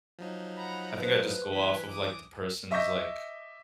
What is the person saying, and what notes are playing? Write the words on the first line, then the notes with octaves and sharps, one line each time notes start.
I think I just go off of, like, the person's, like,
F3 F#3 D#4
F#5 A#5 B5
B4 C5
E3 G#5 B6
D6 D#6
D#5 E5 C#6 D6 G6 A#6